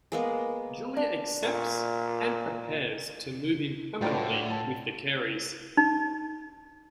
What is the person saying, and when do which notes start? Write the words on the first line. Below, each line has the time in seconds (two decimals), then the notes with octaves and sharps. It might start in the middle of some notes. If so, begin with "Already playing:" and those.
Julia accepts, and prepares to move in permanently with the Careys.
0.12 G#3 A#3 B3
0.97 D4
1.43 A#2 C#6
4.01 D2 A2 D3 F4 B4 D5 G5 A#5
4.50 A5
5.77 D#4